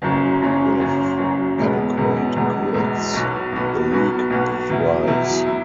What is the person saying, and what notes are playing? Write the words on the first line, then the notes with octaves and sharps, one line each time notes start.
With adequate goods, the league thrives.
F#1 F#2 F#3 C#4
F#1 F#2 F#3 C#4
F#1 F#2 F#3 C#4
F#1 F#2 F#3 C#4
E1 E2 B2 G#3 B3
E1 E2 B2 G#3 B3
E1 E2 B2 G#3 B3
E1 E2 B2 G#3 B3
B1 B2 F#3 B3 F#4
B1 B2 F#3 B3 F#4
B1 B2 F#3 B3 F#4
B1 B2 F#3 B3 F#4
E2 B2 F#3 E4
E2 B2 F#3 E4
F#3 E4